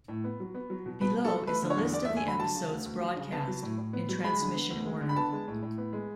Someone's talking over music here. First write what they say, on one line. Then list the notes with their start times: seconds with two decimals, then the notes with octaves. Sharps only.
Below is a list of the episodes broadcast, in transmission order.
0.08 A2
0.24 B3
0.40 F#3
0.55 B3
0.70 F#3
0.86 B2
1.01 B2 B4
1.16 B3
1.25 A4
1.32 F#3
1.47 A3 B4
1.62 D3
1.70 C#5
1.78 E2
1.93 E2 D5
2.05 E5
2.08 A3
2.17 G#5
2.24 D3 B5
2.39 F#3 A5
2.55 C#3
2.70 D2
2.86 D2
3.01 F#3
3.16 C#3
3.32 B3 A5
3.48 F#3
3.63 A2
3.78 A2
3.93 B3
4.09 F#3
4.24 G#3 B5
4.40 D3
4.55 B3
4.70 D2
4.85 G#3
5.01 D3
5.09 B5
5.16 B3 A5
5.32 G#3
5.48 A2
5.63 A2
5.78 B3
5.93 G#3